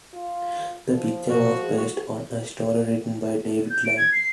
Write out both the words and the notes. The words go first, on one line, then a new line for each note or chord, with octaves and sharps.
The picture was based on a story written by David Lang.
F4
F3
B2 F#4
G#3
G6
D7
G#6
C7